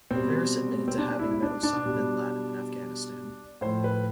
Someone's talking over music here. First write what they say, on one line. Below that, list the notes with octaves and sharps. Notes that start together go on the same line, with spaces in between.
Faris admitted to having met Osama bin Laden in Afghanistan.
B2 G3 C4
C4
D4
E4
E4
D4
D4
B2 G3
A2 F3 C5
B4